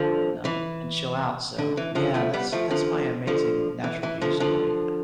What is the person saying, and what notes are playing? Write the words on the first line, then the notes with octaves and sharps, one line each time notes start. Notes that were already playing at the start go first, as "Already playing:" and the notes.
and, um, and chill out, so, yeah, that's that's my amazing natural view story.
Already playing: D3 F3
E3
D3
E3
D3 F3
F3 A3
G3 B3
F3 A3
D3 F3
D3 F3
E3
E3
D3 F3
D3 F3